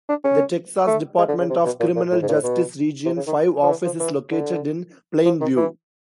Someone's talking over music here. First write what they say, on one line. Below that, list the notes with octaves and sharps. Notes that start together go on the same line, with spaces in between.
The Texas Department of Criminal Justice Region Five office is located in Plainview.
D4
C#4
A3
G#3
D3
C#3
C3
B2
A#2
A#2
A2
G#2
A#2
A2
B2
C3
C#3
D#3
F3
E3
F3
E3
D3
F3
D#3
E3